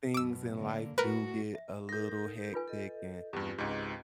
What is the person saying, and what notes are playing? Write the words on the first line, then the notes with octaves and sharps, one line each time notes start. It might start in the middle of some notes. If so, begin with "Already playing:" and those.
things in life do get a little hectic and
F#2 B2 D6 E6
D3 A#3
A2 F#4 A#4 B4
E5
D#4 A4 A#4 G6 A#6
F4 B4 G#5
A4 D#5
E2 G2 C4 D4 F4 G4 B4
C#2 G#2 G4 D#5